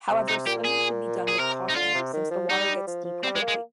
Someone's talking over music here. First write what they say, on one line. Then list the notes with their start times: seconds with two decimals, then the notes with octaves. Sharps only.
However, swimming should be done with caution, since the water gets deep quickly.
0.10 C3
0.29 C3 D#4
0.47 A#2 G4
0.65 G#4
1.28 G#4
1.38 C3 A#4
1.69 D#4
1.75 D3 F4
1.94 C3
2.13 D#3
2.31 F3
2.49 G3 D#4
2.87 F3
3.05 F3
3.24 G3 C4
3.36 G#3
3.42 A#3
3.48 G#3